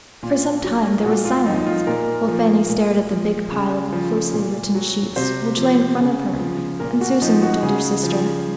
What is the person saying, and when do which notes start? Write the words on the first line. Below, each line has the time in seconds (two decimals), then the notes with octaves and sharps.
For some time there was silence while Fanny stared at the big pile of closely written sheets which lay in front of her and Susan looked at her sister.
0.23 A#2 F4
0.64 F#3
0.99 F4
1.05 A#2 F#4
1.25 F4
1.46 F3 D#4
1.66 F4
1.87 A#2 A#4
2.28 F3
2.69 A#2
3.10 F3
3.52 C#3
3.92 F3
4.33 A#2
4.75 F#3
5.16 C3 C5
5.57 F3
5.99 C#3
6.40 F3
6.80 A#2 A#4
7.01 F#4
7.22 F3 D#4
7.42 F#4
7.63 C#3 G#4
8.03 F3